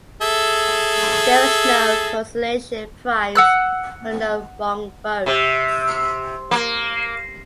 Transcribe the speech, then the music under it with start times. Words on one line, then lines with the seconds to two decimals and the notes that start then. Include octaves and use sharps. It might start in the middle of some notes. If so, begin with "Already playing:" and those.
There was no consolation prize for no wrong votes.
0.22 G#4 A4 E5
3.35 F#5 E6 F#6
5.26 C3
6.51 A#3